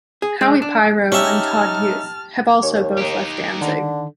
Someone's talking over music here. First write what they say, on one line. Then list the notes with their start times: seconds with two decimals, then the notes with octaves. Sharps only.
Howie Pyro and Todd Youth have also both left Danzig.
0.22 G#4
0.41 G#3
0.62 D4
1.12 C#4 D#4 G4 E5 A5 F6
2.63 D#2 C#5
2.98 D#4 G4
3.61 D3 D#3